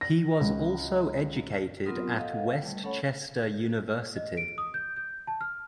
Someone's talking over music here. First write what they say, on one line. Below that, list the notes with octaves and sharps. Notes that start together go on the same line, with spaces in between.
He was also educated at West Chester University.
A#6
C#2
F#3 B3 C4 F4 A#4 D#6
A4 D#5 F5 F#5
G3 A3
A3 C#4 A4 C#5 F#5 B5
D#5
D7
D#6
G6
G6
A5
F6